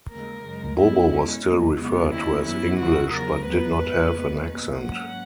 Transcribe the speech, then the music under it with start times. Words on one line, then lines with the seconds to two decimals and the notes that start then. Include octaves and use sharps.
Bobo was still referred to as English but did not have an accent.
0.11 D#2 C#3 G#3 A#4
0.45 F#2 C#3 G#3
0.78 B2 F#3 B3 E4
1.12 B2 G#3 C#4
1.46 B2 F#3 A#3
1.78 C#3 G#3 B3
2.12 D#2 D#3 A#3 C#4 E4
2.45 F#2 E3 B3 E4
2.79 C#3 E3 G#3 F#4
3.12 E2 C#3 F#3 A#4
3.46 F#2 E3 B3 B4
3.80 G#2 E3 B3
4.12 D#2 C#3 G#3 B3
4.47 B2 A#3 C#4
4.80 G#2 F#3 A#3 C#4 F#5